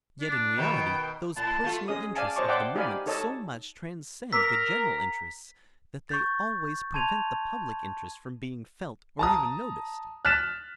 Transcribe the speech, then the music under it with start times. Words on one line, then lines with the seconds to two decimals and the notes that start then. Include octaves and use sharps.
Yet in reality those personal interests of the moment so much transcend the general interests that they always prevent the public interest from being felt or even noticed.
0.21 D4
0.57 B2 D#3 B4 G5
1.36 A2 A5
1.64 A3 F4
1.88 C#4 G#4 D#5 D#6
2.16 D5 F5 G#5 A5
2.36 C5 C#5 D#5 A5 C#6 D6
2.48 D5 E5 F#5 G5 C6 D6
2.75 D#4 G4 D5 F5 G#5 B5
3.06 D#4 A4 C#5 D#5 A5 E6
4.33 A#4 B4 A#5 D6 E6 B6
6.09 C#6 G6 A6
6.94 A5 C6 G#6 D#7 F7
9.19 A5 A#5 D#6
10.25 F6 F#6 A6 B6 E7